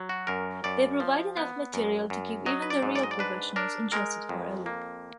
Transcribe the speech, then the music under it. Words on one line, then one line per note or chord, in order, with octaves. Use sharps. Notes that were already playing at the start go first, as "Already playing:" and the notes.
They provide enough material to keep even the real professionals interested for a week.
Already playing: F#3
F#4
F#2 A#4
F#2 D5
F3
B3
F#2
F#2
F#3 D#5
B4
D5
G#2
D5
D#5
D5
D4 B4
D4 A#4
G#3 A#4
F2
A#3